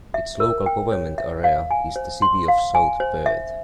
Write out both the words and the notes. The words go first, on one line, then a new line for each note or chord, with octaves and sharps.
Its local government area is the City of South Perth.
E5
A#4
G5
C#5
E5
F5
G#5
C5
C6
F5
G#5
C5
E5